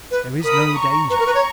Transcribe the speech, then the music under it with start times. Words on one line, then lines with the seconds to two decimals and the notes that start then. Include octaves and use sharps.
"There is no danger."
0.11 B4
0.44 A#4 B5 D#6
0.77 A#5 C#6
1.10 B4 A#5 C#6
1.19 A#4
1.26 B4
1.35 C#5